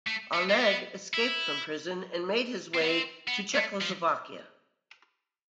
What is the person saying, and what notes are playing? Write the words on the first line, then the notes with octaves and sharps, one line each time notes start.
Alleg escaped from prison and made his way to Czechoslovakia.
A3
A3
C4
B3
E4
C4
B3
C4
B3
A3
F3